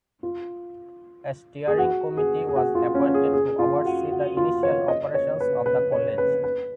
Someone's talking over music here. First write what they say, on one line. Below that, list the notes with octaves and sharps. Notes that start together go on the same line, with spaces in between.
A steering committee was appointed to oversee the initial operations of the College.
F4
G#4
F#4
G#4
G#4
F#4
F4
C#4
G#4
G#4
F4
F#4
F#4
F4
C#5
D#5
C#5
B4
B4
C#5
B4
B4